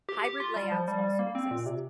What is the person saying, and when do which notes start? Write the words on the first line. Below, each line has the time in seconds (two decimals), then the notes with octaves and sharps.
Hybrid layouts also exist.
0.09 G4
0.25 G4
0.40 F4
0.56 G3
0.72 F3
0.88 G3
1.04 G3
1.19 A#3
1.35 C4
1.51 A#2
1.66 C3